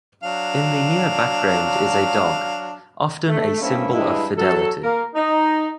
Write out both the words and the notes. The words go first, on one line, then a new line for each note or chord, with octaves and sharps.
In the near background is a dog, often a symbol of fidelity.
F#3 D4 F5
A3
G2 A#3 C4 C#4 E4 E5
G2 G3 G#3 E4 B4 D#5
F#3 A4
A#3 A#4
D#4